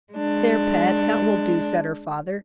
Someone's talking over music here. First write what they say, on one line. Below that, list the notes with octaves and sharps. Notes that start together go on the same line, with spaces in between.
"There, pet, that will do," said her father.
G#3 D4